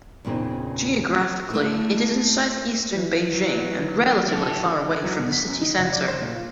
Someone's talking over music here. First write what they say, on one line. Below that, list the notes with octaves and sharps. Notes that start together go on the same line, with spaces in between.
Geographically, it is in southeastern Beijing and relatively far away from the city centre.
E2 A#2 C#3 C4 D#4
A3 A#3 E4
E3
F#3
E4 A4
E3
F#3
B2
B6
F#2
D#4
C#2
D5
C5
A#2
F4